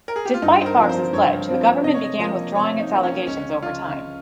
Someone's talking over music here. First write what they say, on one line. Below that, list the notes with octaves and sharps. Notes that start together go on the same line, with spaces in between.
Despite Fox's pledge, the government began withdrawing its allegations over time.
A#4
G#4
G4
F4
G2 D#4
C5
A#4
F3 C4
C5
G2 C#5
F3 C4
C3 D#5
C#5
D#5
F3 A#3 D#5
C3 C#5
D#4
F3 A#3
C#4
C#2 C#4
C#3 F3 F4